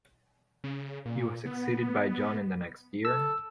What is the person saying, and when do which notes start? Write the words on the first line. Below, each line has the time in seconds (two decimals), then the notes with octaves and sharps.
He was succeeded by John in the next year.
0.64 C#3
1.05 A#2
1.46 B3
3.05 A4 E6